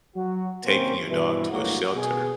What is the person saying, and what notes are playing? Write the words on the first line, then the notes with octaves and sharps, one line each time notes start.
taking your dog to a shelter
F#3 F#4
C3 D#3 A#3 C4 C#4 C5
G2 B2 E3
G1 D2 A2 F#3 A#3 F#4
B2 G#4